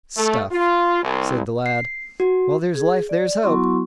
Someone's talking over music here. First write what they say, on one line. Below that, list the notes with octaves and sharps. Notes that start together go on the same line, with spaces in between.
'Stuff!' said the lad; 'while there's life there's hope!
A3
F4
C2
C7
F#4
G#4
D5
F#3 B3 E4 F#4 C6 C#6